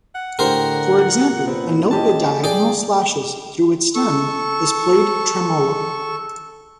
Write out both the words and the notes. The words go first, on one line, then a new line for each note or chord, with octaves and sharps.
For example, a note with diagonal slashes through its stem is played tremolo.
F#5
A2 D3 G4 A#4 C5 F#5 G5
A#2
B3 C4
C#4 G4 D#5 A5
G#4 D5 G5 D6
A4 C#6